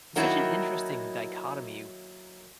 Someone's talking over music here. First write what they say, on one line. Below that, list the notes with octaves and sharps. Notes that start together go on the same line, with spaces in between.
such an interesting dichotomy,
D#3 F#3 A#3 D#4 E4